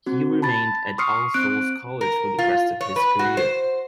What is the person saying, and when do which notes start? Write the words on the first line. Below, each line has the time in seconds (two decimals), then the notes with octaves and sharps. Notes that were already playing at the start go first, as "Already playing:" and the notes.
He remained at All Souls College for the rest of his career.
0.06 C4 F#4
0.42 A5 B5 A6
0.98 C6 C#6 D#6 F6 C7 C#7
1.34 C4 F#6 D7
2.01 A#4
2.38 F4
2.81 C#5
2.96 B4
3.19 F#4
3.37 C5